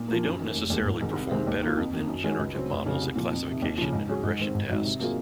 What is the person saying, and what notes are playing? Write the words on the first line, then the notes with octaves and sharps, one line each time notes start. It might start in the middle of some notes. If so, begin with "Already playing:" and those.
They don't necessarily perform better than generative models at classification and regression tasks.
Already playing: A#2
F3 A#3
F#2
D#3 A#3
F1
D#2 D#3 G#3
G#1
G#2 D#3 G#3 D#4
C2
C3 D#3 G#3 C4
D#2
D#3 A#3 F4
F2
D#3 A#3
F#2
D#3 G#3 C#4 F#4
C#2
C#3 F#3 C4
F1
F2 C#3 F#3
C2
A#2 F3
F2
C3 D#3
D#2
C#3 F3
G#2
F#3 C#4 G#4
G#2
D#3 G#3 C4
G#1
G#2 D#3 F#3
C3
F#3 A#3 F4 G#4